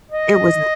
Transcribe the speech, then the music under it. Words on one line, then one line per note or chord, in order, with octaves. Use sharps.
it wasn't
D#5